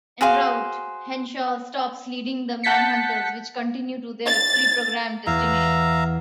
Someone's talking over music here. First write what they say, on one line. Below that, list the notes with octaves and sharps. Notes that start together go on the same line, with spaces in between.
En route, Henshaw stops leading the Manhunters which continue to their preprogrammed destinations.
F#4 G#4 C5 F5
F#5 A5 G6 A6 B6 C#7
A6
E2 E5 F5 A#5